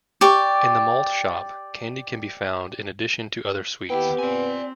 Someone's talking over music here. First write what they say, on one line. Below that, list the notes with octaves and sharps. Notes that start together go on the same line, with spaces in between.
In the malt shop, candy can be found in addition to other sweets.
G4 D5 C#6
D#2 B3 E4 G4 G5
C4 D5 G#5